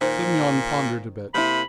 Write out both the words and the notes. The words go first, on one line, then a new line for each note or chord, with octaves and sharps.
Semyon pondered a bit.
A#2 D#3 C5
C3 A#3 E4 B5